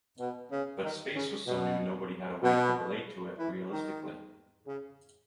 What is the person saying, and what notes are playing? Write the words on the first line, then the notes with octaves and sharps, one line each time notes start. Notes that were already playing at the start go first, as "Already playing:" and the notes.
But space was so new nobody had a way to relate to it realistically.
B2
C#3
D#3
C#3
B2
B2
E3
D#3
C#3